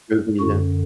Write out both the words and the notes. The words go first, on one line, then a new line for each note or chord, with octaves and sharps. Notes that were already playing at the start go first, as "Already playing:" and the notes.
review, yeah.
F#2 D3 F#4